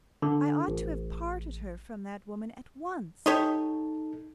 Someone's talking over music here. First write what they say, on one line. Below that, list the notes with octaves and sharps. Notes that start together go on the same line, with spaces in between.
I ought to--have parted her from that woman at once.
D3
A1
D#4 G4 A4 C#5 D#5